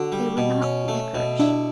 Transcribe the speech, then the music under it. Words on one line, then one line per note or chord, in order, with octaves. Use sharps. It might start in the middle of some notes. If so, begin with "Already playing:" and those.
They were not liquorice.
Already playing: D3 F#4
G3
B2
C#4
A3
B2
D4 E4